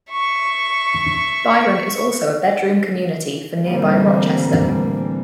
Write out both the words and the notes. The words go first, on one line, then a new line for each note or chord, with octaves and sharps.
Byron is also a bedroom community for nearby Rochester.
E5 C#6
A1 D3 E3 G3 A#3 C4